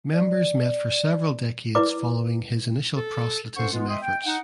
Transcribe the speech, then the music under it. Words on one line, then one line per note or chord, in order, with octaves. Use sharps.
Members met for several decades following his initial proselytism efforts.
D5
E4 B4 D5 D6
A4
G2 C#4 A4 C5 F#5 C#6
E3 G#3 B3 F4
D#5 E5 G5 C6 D#6
G5
D#4 F#5